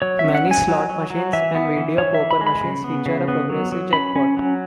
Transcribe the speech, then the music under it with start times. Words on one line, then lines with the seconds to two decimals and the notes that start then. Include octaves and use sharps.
Many slot machines and video poker machines feature a progressive jackpot.
0.02 F#3 C#5
0.19 E5
0.24 C#4
0.35 F#5
0.46 F#3 G#5
0.68 F#3
0.89 F#3
1.10 F#3
1.33 E3 E5
1.55 B3
1.77 E3
1.98 E3 C#5
2.14 E5
2.20 E3
2.31 B5
2.41 G#3
2.47 B5
2.64 C#3
2.84 B3
3.06 C#3
3.28 B3
3.50 F#3
3.72 F#3
3.93 C#4 B5
4.16 C#4
4.37 F#3